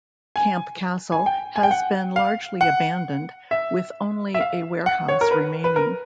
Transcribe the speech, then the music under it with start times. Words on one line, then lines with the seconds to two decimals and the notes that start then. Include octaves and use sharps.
Camp Castle has been largely abandoned, with only a warehouse remaining.
0.36 G#5
1.12 G#5
1.26 G5
1.56 G#5
1.63 G5
1.71 F#5
2.16 F5
2.61 F#5
3.51 E5
4.34 E5
4.40 F5
4.86 F#5
5.08 C#5
5.21 A#4
5.31 B4
5.64 B4
5.76 A#4